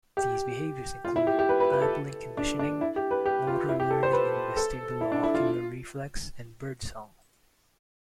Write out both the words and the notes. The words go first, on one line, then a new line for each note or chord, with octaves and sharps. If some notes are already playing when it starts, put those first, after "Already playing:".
These behaviors include eyeblink conditioning, motor learning in the vestibulo-ocular reflex, and birdsong.
G4
F4
E4
G4
G4
B4
B4
B4
A4
D4
D4
E4
G4
B4
G4
F4
E4
G4
A4
C5
B4
A4
E4
D4
E4
F4